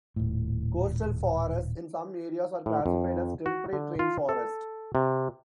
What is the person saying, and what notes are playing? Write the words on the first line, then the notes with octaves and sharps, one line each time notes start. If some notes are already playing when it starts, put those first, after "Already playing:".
Coastal forests in some areas are classified as temperate rain forest.
D#1 A2
A2
F2
F#4
D3
F4
A4
C3